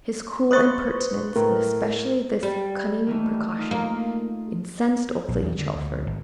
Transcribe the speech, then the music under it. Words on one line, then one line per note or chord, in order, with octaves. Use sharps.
His cool impertinence, and especially this cunning precaution, incensed old Lady Chelford.
B4 C5 C#6 D#6 F#6 A6
A2 A#4
G3
D#3 E3 A3
D#4 F4
A#3
A#1
E2
D3
D2
G#1